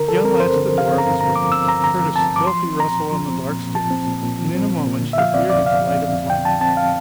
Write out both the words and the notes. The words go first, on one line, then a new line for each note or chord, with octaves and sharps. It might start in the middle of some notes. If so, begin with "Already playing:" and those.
He unlatched the door of his room, heard a stealthy rustle on the dark stairs, and in a moment she appeared in the light of his lamp.
Already playing: D3 A#4
F3 A4
C4 A#4
G2 C5
D3
F3
F5
C4
A#5
G2
D3 A#5
F3 D6
C4 E6
G2 A#5
D3 A#5
F3
C4 A5
G2 D6
F3 C6
C4
A#2 A#5
A#2
F3
C4
A#2
A#2
F3 A5
C4
A#2
A#2
F3
C4
A#2
A#2
D3
E5
F3 F5
C4 D5
F2 D5
D3 F5
F3
C4
F2
D3 G5
F3 A5
C4 A5
F5